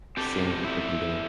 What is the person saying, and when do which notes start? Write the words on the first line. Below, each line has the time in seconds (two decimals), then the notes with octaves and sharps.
seeing what we can do.
0.17 C4 G4 A4
0.64 E4